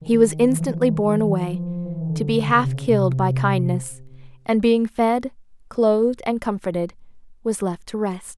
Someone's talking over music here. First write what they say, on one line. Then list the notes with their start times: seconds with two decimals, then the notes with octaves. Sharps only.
He was instantly borne away, to be half killed by kindness, and being fed, clothed, and comforted, was left to rest.
0.01 D#3
0.47 E3
0.58 F3
0.70 E3
0.82 D#3
0.93 D#3
1.08 E3
1.24 E3
1.39 F3
1.85 E3
2.01 D#3
2.08 D3
2.32 D3
2.46 C#3
2.62 C3
2.73 C#3
2.86 C3